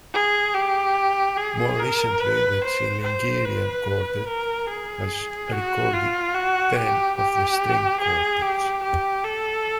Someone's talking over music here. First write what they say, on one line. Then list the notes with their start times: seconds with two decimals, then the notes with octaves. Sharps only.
More recently, the Chilingirian Quartet has recorded ten of the string quartets.
0.14 G#4
0.55 G4
1.37 G#4
1.79 A#4
2.20 B4
2.62 C5
3.03 C5
3.45 B4
4.27 A#4
4.69 G#4
5.52 F#4
5.93 F4
6.35 F#4
6.76 G4
7.17 G4
8.00 G#4
8.42 G4
8.83 G4
9.24 A4